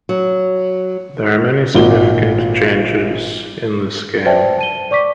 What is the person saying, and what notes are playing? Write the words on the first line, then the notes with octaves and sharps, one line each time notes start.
There are many significant changes in this game.
F#3
G#1 A#2 F#4 G7
B4 C5 D5 E5 G5 A5
A5 D#7 G7
D5 C#6 D6 B6